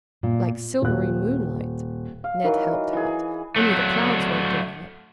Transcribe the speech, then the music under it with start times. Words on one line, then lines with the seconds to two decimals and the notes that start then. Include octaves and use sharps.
"Like silvery moonlight," Ned helped out, "only the clouds won't develop."
0.23 A#2
0.82 D#1 F#6
2.24 F5
2.44 D#3 E3 F#3
2.93 E3 G#4
3.56 F#3 A3